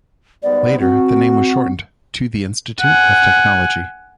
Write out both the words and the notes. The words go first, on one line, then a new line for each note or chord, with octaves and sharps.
Later the name was shortened to the Institute of Technology.
G#2 G3 B3 D5
C4 F#4
F#5 G#5